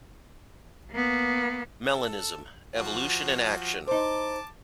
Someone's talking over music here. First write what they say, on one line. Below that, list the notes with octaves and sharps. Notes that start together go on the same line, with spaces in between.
Melanism, Evolution in Action.
A#3 B3
A4
F3 F#4
D#4 C5 A5 D6